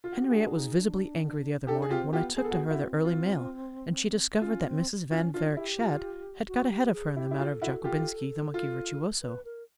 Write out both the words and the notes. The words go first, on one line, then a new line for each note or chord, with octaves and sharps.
Henriette was visibly angry the other morning when I took to her the early mail and she discovered that Mrs. Van Varick Shadd had got ahead of her in the matter of Jockobinski, the monkey virtuoso.
F4
F#4
G4
D4 F#4 G#4
D#4
D4
D4 G4 A4
G#4
C4 F4 G4
B3 F4 G4
B3 G#4
A4
F#4 G#4
C4 E4 F#4
F4
C#4 F4
C4
C#4 F4
D4 F4
F#4
E4 G4
F4
F#4
G4
G#4
E4 G4
E4
F4
A4
E4 F#4
F4 G4
F4
B4
A#4